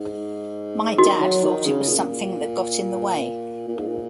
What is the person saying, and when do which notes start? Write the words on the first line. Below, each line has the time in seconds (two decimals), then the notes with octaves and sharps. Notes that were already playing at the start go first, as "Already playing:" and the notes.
My dad thought it was something that got in the way.
Already playing: G#2
0.98 D#3 F#4
1.21 F#3
1.43 D#3
1.66 C#3
1.88 A#2
3.68 A#2
3.77 G#2
3.87 A#2